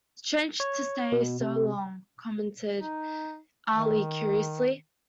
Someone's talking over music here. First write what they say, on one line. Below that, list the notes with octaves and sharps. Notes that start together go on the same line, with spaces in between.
"Strange to stay so long," commented Ali curiously.
C#5
B2
C3
D#4
D#3